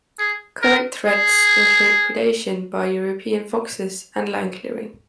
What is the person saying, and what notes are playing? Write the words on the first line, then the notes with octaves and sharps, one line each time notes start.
Current threats include predation by European foxes and land clearing.
G#4
A#4
G#4